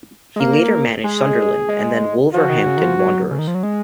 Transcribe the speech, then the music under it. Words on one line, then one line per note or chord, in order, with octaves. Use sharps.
He later managed Sunderland, and then Wolverhampton Wanderers.
G#3
A#3 A#4
G#3 G#4
G#3
F3 F#4
D#3
C#3
D#3
F3
F#3
C#3
D#3
F3
F#3
G#3